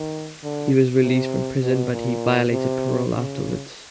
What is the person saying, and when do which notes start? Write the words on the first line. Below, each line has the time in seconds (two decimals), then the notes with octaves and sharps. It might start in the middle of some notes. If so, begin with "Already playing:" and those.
He was released from prison but he violated parole afterwards.
Already playing: D#3
0.43 D3
1.03 C3
1.63 B2
1.92 A#2
2.51 C3
3.11 C#3